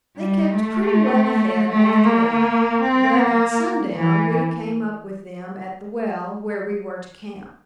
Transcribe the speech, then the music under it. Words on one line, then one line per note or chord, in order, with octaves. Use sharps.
They kept pretty well ahead after that, but at sundown we came up with them at the well where we were to camp.
G3
A3
A3
A#3
C4
A#3
E3